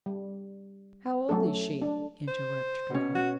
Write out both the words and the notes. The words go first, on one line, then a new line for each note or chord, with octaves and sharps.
"How old is she?" interrupted Rob.
G3
F#3 A3 C#4 A4
D4
C5
B2 C#4
F#4